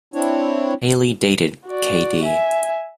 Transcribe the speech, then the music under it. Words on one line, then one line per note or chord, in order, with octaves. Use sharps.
Hailey dated k.d.
C4 D4 E4 C#5
F#4 D5
E5 G#5